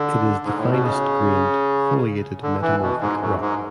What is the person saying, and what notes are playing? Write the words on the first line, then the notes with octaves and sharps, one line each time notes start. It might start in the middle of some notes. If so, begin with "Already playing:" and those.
It is the finest grained foliated metamorphic rock.
Already playing: D3
G#2
A2
B2
C#3
D3
E3
B2
G#2
F#2
G#2